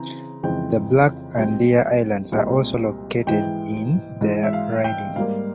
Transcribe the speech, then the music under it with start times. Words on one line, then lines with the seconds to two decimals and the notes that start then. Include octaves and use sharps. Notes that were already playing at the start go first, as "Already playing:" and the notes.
The Black and Deer Islands are also located in the riding.
Already playing: C#3 E3 C4 A#5
0.43 F2 C#3 E3 G#3 C4 G5
1.38 C2 A#2 G#3 C4 G5
2.32 C2 A#2 G#3 C4
3.27 G#2 E3 G#3 G5
4.21 G#2 E3 G#3
4.43 E5
4.53 F5
4.84 G5
5.16 G#2 G3 A#3 F5